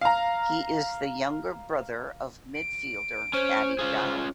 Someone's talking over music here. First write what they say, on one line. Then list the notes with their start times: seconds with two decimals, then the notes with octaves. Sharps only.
He is the younger brother of midfielder Paddy Dow.
0.01 F5 A#5
2.55 D7
3.33 C#4 C5
3.79 C#4 F4 G#4